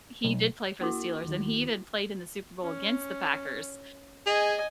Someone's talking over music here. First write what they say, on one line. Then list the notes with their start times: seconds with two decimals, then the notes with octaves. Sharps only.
he did play for the Steelers and he even played in the Super Bowl against the Packers,
0.24 B1
0.81 A#3 E4 F#4
1.24 D#2 D#3
2.63 C#4
4.27 G#4 D#5 G#5